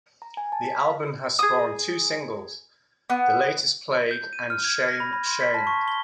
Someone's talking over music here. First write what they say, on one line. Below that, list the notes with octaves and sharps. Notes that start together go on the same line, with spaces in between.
The album has spawned two singles: "The Latest Plague" and "Shame Shame".
A#5
G#5
A5
B6
F5
G#4 D#6
B3
G6
D#7
F6
G#6
A#6
B5
B5
C6
B6
A5
C#6
G7